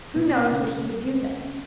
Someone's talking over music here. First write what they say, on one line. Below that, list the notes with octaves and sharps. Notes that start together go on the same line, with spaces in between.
Who knows what he would do then!
B2 B3
C#3 C#4